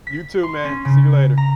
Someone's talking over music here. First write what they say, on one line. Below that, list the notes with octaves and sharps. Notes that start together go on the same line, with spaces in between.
You too, man. See you later.
B6
C6
C#4
C#3
A#5